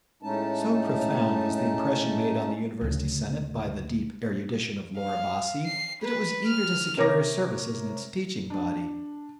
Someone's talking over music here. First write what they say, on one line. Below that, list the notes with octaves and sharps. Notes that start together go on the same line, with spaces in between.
So profound was the impression made on the university senate by the deep erudition of Laura Bassi that it was eager to secure her services in its teaching body.
A2 G#3 A3 C#4 D#4 A5
D2 C#3
F5
C7
B4
F6
C3 A#4 C#5 D6 A#6
D4